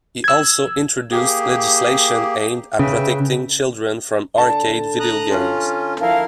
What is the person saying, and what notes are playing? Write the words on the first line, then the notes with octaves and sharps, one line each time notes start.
He also introduced legislation aimed at protecting children from arcade video games.
E6 G#6
A#3 G4 G#4
C#3 B4 E5 G5
D3 A5
A#5 D#6 F#6
C#4 F4
F3 E4 A#4 F5